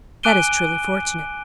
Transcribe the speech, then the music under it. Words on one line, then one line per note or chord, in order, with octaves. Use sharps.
"That is truly fortunate."
G#5 D6 F#6 D7 D#7 G7